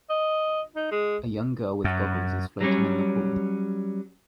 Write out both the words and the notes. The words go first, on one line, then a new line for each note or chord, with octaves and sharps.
A young girl with goggles is floating in the pool.
D#5
D#4
G#3
F#2
F#3 G3 C#4